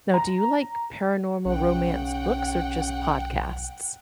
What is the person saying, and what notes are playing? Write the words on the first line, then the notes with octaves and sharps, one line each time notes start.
Now, do you like paranormal romance books or just podcasts?
A#5
B1 C#3 F#5 G5